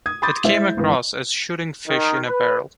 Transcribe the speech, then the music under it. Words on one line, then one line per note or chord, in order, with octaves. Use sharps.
It came across as shooting fish in a barrel.
D#6 G#6
B5 C6 D6 D#6 G6 A6
G#3 E4 C5 E5
G#1 E3
D#3
B4